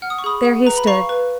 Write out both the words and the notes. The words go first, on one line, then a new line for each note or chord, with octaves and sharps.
There he stood.
F#5 F6
D#6
C#6
G#4 B5 D#6
F#5
B4 A#5
B5
F5 A#5 C#6
B4